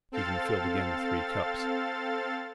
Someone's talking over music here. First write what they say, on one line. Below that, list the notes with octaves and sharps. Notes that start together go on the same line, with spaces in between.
Stephen filled again the three cups.
C4 A4 F5 A6